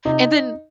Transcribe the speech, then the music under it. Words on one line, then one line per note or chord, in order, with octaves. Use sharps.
and then,
C3 D#4